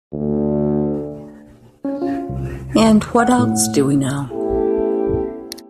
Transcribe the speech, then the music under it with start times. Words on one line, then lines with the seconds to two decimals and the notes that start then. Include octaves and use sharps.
And what else do we know?
0.13 D2
1.85 C#4
2.02 F4
2.29 C2
2.80 D#2
3.19 F#5
3.39 A2
4.31 A3 B3 C#4 E4 G4 A4